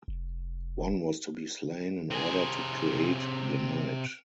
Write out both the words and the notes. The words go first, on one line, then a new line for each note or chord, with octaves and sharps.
One was to be slain in order to create the night.
F1
C3 G#4